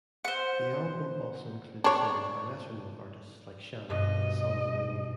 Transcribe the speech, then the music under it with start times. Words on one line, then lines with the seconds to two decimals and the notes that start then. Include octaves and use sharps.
The album also includes songs by lesser-known artists like Shanna and Sonja Marie.
0.25 C5 F#5
1.84 D4 C#5
3.90 G2 B2 D#5